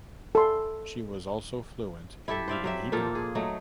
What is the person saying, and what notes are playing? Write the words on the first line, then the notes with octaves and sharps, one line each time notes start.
She was also fluent in reading Hebrew.
A4 C6
E4 G4 A4 E5
C5 D5 E5 F5
F#3 G4 E5
A#2 F3 A#3 A4
G#4
F#3 A3 D#4